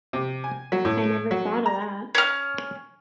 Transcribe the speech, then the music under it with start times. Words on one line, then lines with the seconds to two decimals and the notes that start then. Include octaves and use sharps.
I never thought o’ that.
0.13 C3
0.44 G#5
0.72 F#3
0.85 A2
1.31 F#3
1.66 A#5
2.15 C#4 F6